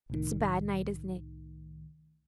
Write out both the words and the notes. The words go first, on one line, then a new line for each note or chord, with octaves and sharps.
It's a bad night, isn't it?
C2 A2 D#3